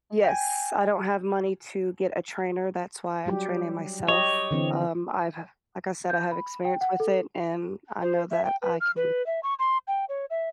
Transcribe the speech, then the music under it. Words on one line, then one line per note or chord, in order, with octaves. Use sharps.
Yes, I don't have money to get a trainer, that's why I'm training myself, um, I've h like I said, I have experience with it, and I know that I can
G5 G#5
F#3 G3 G4
G4 C#5 D#5
D3 E3 C4
G6
B5
G5
F#5
A4
C5
E5
G5
B4
F6
B4
E5
C#6
C6
G5
C#5
E5